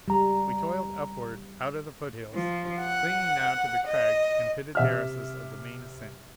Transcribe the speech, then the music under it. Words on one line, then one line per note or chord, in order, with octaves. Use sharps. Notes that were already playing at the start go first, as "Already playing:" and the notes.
We toiled upward, out of the foothills, clinging now to the crags and pitted terraces of the main ascent.
C#2 G3 A#5
F3
F#5
D#5
C3 E5 F6